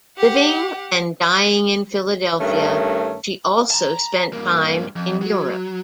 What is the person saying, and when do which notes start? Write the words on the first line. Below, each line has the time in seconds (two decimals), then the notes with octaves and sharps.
Living and dying in Philadelphia, she also spent time in Europe.
0.18 G4 F#5
2.40 G2 D#3 A3 C#4
3.71 A5 A#5
4.33 G2 A#3
4.96 F2
5.21 F#3